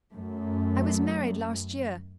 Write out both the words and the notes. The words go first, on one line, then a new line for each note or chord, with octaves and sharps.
I was married last year.
F#2 A3